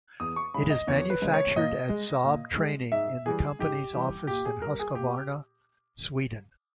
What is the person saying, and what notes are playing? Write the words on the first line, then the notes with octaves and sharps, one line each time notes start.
It is manufactured at Saab Training in the company's office in Husqvarna, Sweden.
E2 D#6
C#6
C#3 G#3 B5
D#5
E2 C#5
B4
C#3 G#3
C#5
A#2 D#5
G#3
A#2
G#3
G#2 E5
E3 G3 G#4
G#2 G4
E3 G3
A#2 G4
G#4
G3 A#4
G#4
A#2 G4